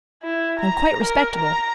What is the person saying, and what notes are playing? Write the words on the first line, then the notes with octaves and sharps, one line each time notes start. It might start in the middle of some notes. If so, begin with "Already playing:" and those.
"I am quite respectable."
E4
A#5
A#4
A#5